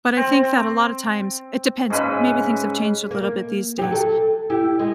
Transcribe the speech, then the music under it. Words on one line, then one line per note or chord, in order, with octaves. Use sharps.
But, I think, that a lotta times it depends. Maybe things have changed a little bit these days.
C4
G#2 C#3 B4 E5
A#3
F#3 G4
A4
E4 G4
G#3